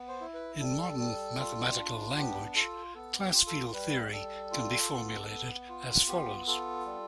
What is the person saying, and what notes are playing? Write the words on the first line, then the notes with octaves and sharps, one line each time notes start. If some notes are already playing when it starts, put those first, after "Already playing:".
In modern mathematical language class field theory can be formulated as follows.
Already playing: B3
C5
E4
B4
G3 A4
G3
F4
D4
B3 G4
F4 A4
B3 A4
G4
F4
A4
G3 B4
G3 A4
F4
B3
B3
F4
B3 G4
F4 A4
G3